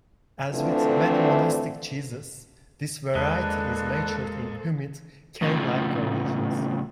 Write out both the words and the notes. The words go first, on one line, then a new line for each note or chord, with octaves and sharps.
As with many monastic cheeses, this variety is matured in humid cave-like conditions.
D3 E3 F3 A3 C4 D4
E2 G#3 A#3 D4 A4 B4 C5
F2 A2 C#3 F3